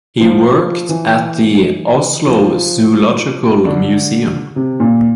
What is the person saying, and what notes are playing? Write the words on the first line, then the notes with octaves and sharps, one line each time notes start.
He worked at the Oslo Zoological Museum.
F3
E3
F3
D3
C3
A#2